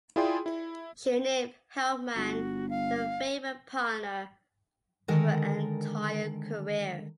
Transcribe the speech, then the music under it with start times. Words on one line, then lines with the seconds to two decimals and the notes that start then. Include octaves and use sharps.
She named Helpmann the favourite partner of her entire career.
0.16 E4 F4 G#4 D5 G5 C6
0.46 E4
2.16 G1 F#4
2.70 F5
5.08 D3 D#3 G#3 A4 A#4